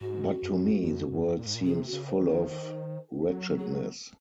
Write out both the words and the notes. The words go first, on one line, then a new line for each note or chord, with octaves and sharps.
But to me the world seems full of wretchedness.
G#2 F#4
F#2
F2
F#2
A#2
G#2
A#2
C3 G#4
F#4
C#3
C5
D#3
C5
F#3
A#4
G#4